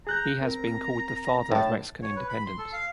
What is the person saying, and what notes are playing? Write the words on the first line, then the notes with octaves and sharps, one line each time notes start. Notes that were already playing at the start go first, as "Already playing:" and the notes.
He has been called the "father of Mexican independence".
G#4 A#5 F#6 G6
C4 A#4 A#5
A2 A5
C#5
B4
B5
C6
A4
F5